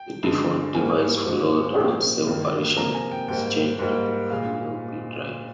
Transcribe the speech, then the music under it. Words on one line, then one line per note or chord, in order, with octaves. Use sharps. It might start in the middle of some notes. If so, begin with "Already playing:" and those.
The default device for load and save operations is changed to the floppy drive.
Already playing: G5
G2 D3 G#3
G#2 G3 A#3 G#5
G#2 F3 G#3
A#2 F3 A#3 G5
G2 D#3 A#3
C3 F3 A#3 A#5
G#5
G5
G#2 G3 A#3 G5
G#2 G3 A#3
A#2 G#3 F5